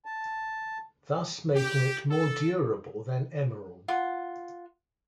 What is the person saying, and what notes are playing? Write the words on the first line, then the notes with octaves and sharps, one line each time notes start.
Thus making it more durable than emerald.
A5
G4
A4
F4 F#5